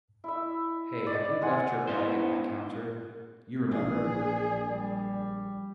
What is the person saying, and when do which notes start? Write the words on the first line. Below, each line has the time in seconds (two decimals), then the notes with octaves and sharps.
Hey, you left your bag in my counter! You remember?
0.24 E4 E5
1.07 D5 D#5
1.42 F#5 G#5 C6
1.87 B3 E4 C5
3.71 A#1 G#4 D5
4.68 G3